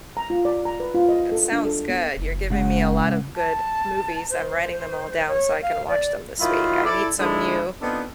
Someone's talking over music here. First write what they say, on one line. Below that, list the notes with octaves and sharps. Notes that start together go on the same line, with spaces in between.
That sounds good, you're giving me a lot of good movies. I'm writing them all down so I can watch them this week, I need some new
A#5
F4
D5
A#5
B4
F4
D#5
A4
D4
A4
B3
F#1
C#3 G#3 F#5
A5
C5
C#5
F5
D5
D#3 F#3 E4 F4
E4 A4 D5
D3 D#3 G#3 D4 E4 A4
B3 C4 D4 D#4 F4 A4